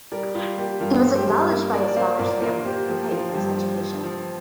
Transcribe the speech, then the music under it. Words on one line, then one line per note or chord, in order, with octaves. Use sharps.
He was acknowledged by his father's family, who paid for his education.
G3 A#4 D5
G3 F4 A#4
A#3 G4
G2 F4 A#4
G2
G4 C5
G2
A#3
A#3 A#4 D5
D5
A#3 C5 F5
A#2 A#4 D5
A#3 F4 A#4
A#3 G4 C5
F3 G4
F3 F4 A#4
G2 G4
F3
F3
F3